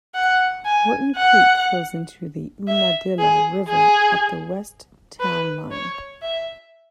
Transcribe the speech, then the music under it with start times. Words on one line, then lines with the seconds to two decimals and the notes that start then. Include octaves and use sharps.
Wharton Creek flows into the Unadilla River at the west town line.
0.15 F#5
0.65 G#5
1.16 F#5
2.67 E5
3.19 G#4
3.69 G#4
5.20 B4
5.71 C#5
6.22 E5